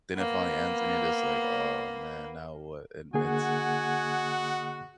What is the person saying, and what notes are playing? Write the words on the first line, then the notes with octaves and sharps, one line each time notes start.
then it finally ends, and you're just, like, "Aw, man, now what," and it's
A#3 B3
D3 A#3 F#4 G#4 D#5 F#5 G#5